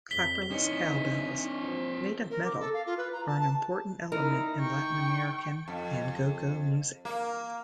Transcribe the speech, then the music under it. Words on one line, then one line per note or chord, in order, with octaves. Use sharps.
"Clapperless cowbells" made of metal are an important element in Latin-American and go-go music.
F2 B6 G7
E3 C4 D#4 C#5
F3
A#4
D6
A4
F5
F4
B4
A#5
A5
A5
D#4 E4 A#4
G5 C#6
F2
A#3